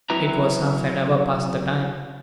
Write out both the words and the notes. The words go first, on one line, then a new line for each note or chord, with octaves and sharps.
It was half an hour past the time.
F#3 C4 E4 B4 E5 A#5